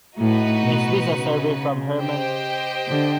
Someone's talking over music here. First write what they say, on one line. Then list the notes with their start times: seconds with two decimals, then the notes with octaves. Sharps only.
Is this a survey from Herman?
0.18 A2 D#4 F#4 B4
0.63 B2
1.09 C#3
1.98 G4 C5 D#5 G5
2.88 D3